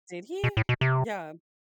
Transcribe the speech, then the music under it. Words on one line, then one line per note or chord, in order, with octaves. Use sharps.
Did he? Yeah.
B2
A2
B2
C3